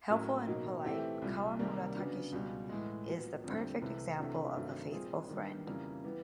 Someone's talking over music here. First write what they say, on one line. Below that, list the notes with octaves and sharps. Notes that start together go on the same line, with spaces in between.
Helpful and polite, Kawamura Takashi is the perfect example of a faithful friend.
A2 F#3 A#3 C#4
B2 F#3 A#3 D#4
E3 A3 C4 E4 G4
C2 A#2 G3
C3 D#3 G3 A#3
C#3 F#3 B3 D4
C#2 B2 G3
A2 E3 G#3
A#2 F#3 B3
F2 D3 G3 C4
C2 C3 E3 A3
C3 E3 A3 D4 F#4
G2 D#3 F#3 A3 C4
A#2 G3 C4 F4 G#4
D#3 G3 B3 D4
F2 C#3 E3 G3 A#3
E3 G3 B3